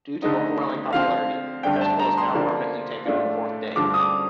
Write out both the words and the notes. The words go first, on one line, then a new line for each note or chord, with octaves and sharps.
Due to overwhelming popularity, the festival has now permanently taken on the fourth day.
D3 A3 D#4 D#5
D3 F3 C4 F4 F5
G2 D3 A3 D4 G5
A5
A#5
C6
D3 F3 A#3 D4
A2 A3 D4 F4
G2 D3 F3 D6
D#6
D6